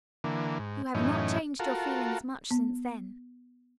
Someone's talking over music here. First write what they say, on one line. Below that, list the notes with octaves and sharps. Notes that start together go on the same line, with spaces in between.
You have not changed your feelings much since then.'
D3 E3 A#3
G#2
F#2 A2 E3 C#4 D#4
F4 F#4 A4 A#4
B3